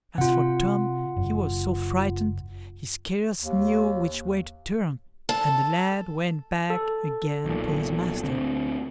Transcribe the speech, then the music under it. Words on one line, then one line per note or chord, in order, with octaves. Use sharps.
As for Tom, he was so frightened he scarce knew which way to turn, and the lad went back again to his master.
C3 F4 F#5
F#1
D#2
A4
A4
B1 A#2
D2 D3 C4